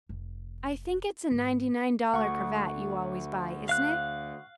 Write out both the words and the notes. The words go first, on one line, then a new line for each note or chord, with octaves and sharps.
I think it's a ninety-nine dollar cravat you always buy, isn't it?
F1
G#1
D2 F#5 C#6
F5 F#6